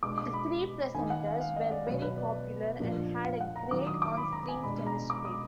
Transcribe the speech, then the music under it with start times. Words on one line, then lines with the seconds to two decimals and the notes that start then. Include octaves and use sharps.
The three presenters were very popular and had a great on screen chemistry.
0.03 B2 G#3 B3 D4 D6
0.18 D6
0.33 B5
0.95 D#3 A#3 D#4 G#5
1.10 F#5
1.26 F5
1.41 F5
1.56 D#5
1.71 D5
1.87 B2 F#3 B3 B4
2.02 B4
2.18 D5
2.79 A#2 F3 A#3 D4
3.25 F5
3.41 F#5
3.56 A#5
3.71 D#3 F#3 D4 D6
3.87 D#6
4.02 D6
4.17 B5
4.33 A#5
4.48 G#5
4.63 B2 G#3 D4 B5
4.86 A#5
5.10 D6
5.25 D#6